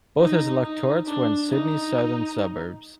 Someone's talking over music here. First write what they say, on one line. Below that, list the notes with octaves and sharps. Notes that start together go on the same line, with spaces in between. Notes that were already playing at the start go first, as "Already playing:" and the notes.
Both his electorates were in Sydney's southern suburbs.
D#4
D#4
D4
D#4